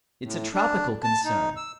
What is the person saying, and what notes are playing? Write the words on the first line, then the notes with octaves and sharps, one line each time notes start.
It's a tropical concern.
A2
D4
A5
D#4
E6